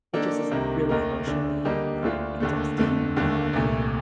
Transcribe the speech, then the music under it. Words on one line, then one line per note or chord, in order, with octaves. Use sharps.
It just is really emotionally, uh, exhausting a lot, and,
D#3 A#3 D4 A4
C2 C3 D#3 A#3
D#2 D#3 A3 D#4 A#4
D2 D3 A3 D4
D3 G3 A#3 D#4 G4
D2 D3 A3 D4 F4
D#2 D3 A3
F2 D3 A3
D#2 D3 A3
C2 A#2 A3